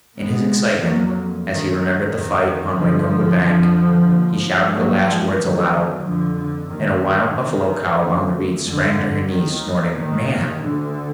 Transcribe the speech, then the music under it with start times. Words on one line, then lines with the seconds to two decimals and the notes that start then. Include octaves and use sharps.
In his excitement, as he remembered the fight on Waingunga bank, he shouted the last words aloud, and a wild buffalo-cow among the reeds sprang to her knees, snorting, "Man!"
0.17 D2 G#3 B3
0.82 F2 F#3 A#3
1.48 D2 D#3
2.12 F2 D#3
2.78 D#2 D3 F3
3.43 F2
4.08 D#2
4.73 D#2 F#3 A#3
5.07 F3 G#3
5.39 D2 D#3 F#3
6.04 F2 D3 F3
6.36 D3
6.70 D#2 D#3
7.35 D2 D#3
8.00 D2
8.65 F2 D3
9.30 D#2 D#3
9.95 D#2 D#3
10.61 D2 D3